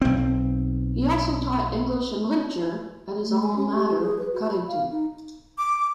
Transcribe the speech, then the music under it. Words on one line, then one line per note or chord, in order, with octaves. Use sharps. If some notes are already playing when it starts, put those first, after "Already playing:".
He also taught English and Literature at his alma mater, Cuttington.
B1 C4
A3
G#5
C#4
G4
G4
G#4
B4
F#4
B5
F5
D#4
D6